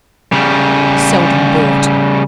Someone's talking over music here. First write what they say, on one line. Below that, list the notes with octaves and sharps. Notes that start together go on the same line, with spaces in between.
Seldom bought.
C#3 G3